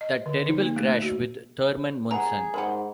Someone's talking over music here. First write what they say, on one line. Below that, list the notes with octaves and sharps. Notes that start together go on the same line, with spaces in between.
That terrible crash with Thurman Munson.
D#5
D3
D#4
A#3
A3
F#4
E3 G3 G#4 F#5 A#5
G#2 D#3 G3 G4 F#5 B5